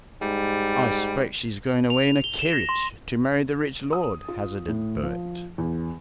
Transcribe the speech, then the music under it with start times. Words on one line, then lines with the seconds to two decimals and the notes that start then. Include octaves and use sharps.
"I 'spect she's going away in a kerridge to marry the rich lord," hazarded Bert.
0.22 G#2 G3
1.90 F7
2.24 G7
2.39 E7
2.53 A#6
2.69 C6
3.93 D#6
4.28 F4
4.68 A2
5.03 F3
5.58 E2